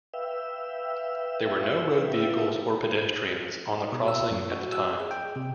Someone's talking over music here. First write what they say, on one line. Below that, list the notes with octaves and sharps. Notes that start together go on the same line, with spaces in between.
There were no road vehicles or pedestrians on the crossing at the time.
B4 E5 F5 G5 E6
B2
E6
F#2
F#4
E6
G#4
G5
C3